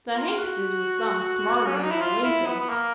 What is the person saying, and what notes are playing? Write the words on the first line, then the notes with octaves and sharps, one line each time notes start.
The Hankses was some smarter'n the Lincolns.
F4
F#4
C#4
D4
D#4
E4
F4
E4
B3
B3
A#3